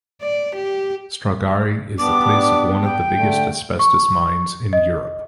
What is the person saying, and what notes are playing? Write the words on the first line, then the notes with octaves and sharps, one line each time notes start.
Stragari is the place of one of the biggest asbestos mines in Europe.
D5
G4
G3 B3 D4 D6
G5
D3 A3
C#6
D#5